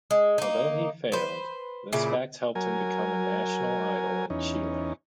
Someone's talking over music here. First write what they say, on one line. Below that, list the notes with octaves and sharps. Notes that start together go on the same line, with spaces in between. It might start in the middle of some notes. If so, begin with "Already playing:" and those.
Although he failed, this fact helped him become a national idol in Chile.
G#3
A#3 D#4
B4 C5
A#2 C#3 E4
F#3 A#4 G#5
E2 C#4 D#4